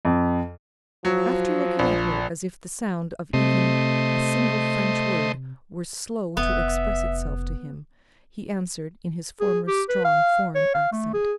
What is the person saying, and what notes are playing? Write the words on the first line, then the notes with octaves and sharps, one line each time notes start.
After looking at her, as if the sound of even a single French word were slow to express itself to him, he answered, in his former strong foreign accent.
F2
F3 F#3
A#1
C3 A3 C5 D#5
F1 B3 E5
G#4
G4
B4
F5
C#5
F5
A3
G#4